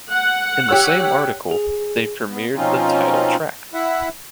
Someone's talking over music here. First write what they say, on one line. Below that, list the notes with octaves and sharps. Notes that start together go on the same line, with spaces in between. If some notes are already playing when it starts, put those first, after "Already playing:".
In the same article, they premiered the title track.
F#5
G4 C#5 E6
G#4
B3
B2 F3 C4 C#4 D#4 F4
E4 E5 F#5